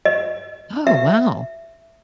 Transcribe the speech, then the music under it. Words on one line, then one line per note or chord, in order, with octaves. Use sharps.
Oh, wow.
D#5
E5